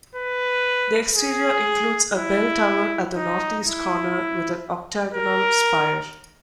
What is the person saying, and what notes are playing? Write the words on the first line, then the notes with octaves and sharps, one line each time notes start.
The exterior includes a bell tower at the northeast corner with an octagonal spire.
B4
G#4
E4
D#4
E4
A#4